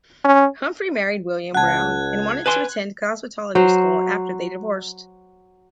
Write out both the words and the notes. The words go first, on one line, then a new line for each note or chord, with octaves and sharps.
Humphrey married William Brown and wanted to attend cosmetology school after they divorced.
C#4
C#2 F#5 A5 F#6 G#6
B4 G#5 C6
F#3 C5